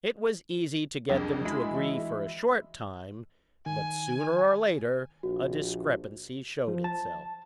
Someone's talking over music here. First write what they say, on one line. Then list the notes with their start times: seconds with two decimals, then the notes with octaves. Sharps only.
It was easy to get them to agree for a short time, but sooner or later a discrepancy showed itself.
1.09 C2 F2 C3 D4 G#4 A#4
1.45 G#3 D#4 E4 F#4 B5
1.71 E3 E5
3.66 D#3 G#5
5.23 A#1 F#4
6.68 F3
6.84 A5